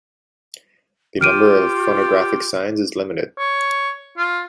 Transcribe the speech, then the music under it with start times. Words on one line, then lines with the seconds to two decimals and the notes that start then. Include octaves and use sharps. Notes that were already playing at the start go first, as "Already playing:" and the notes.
The number of phonographic signs is limited.
1.21 F4 G4 F6 D7 D#7
3.39 C#5
4.18 F4